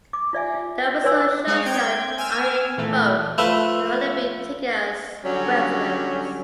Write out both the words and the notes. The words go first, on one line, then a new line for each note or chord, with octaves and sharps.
The result shows that "iron vote" can only be taken as reference.
D6
F4 D5 E5 G#5
F4
B4 C#5 D5 G#5 C6 E6
G#3 D#4 C#5 F5
C4 G5 G#6
G#5 E6 F6
A#2 E3 A3
F3 A3 B4 E5
D3 F#3 G3 C#4